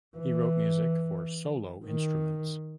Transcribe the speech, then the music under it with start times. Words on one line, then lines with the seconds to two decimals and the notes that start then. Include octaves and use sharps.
He wrote music for solo instruments.
0.17 E3
1.86 D#3